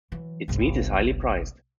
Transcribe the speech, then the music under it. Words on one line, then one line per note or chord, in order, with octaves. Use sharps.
Its meat is highly prized.
E3 F#3
G1 C2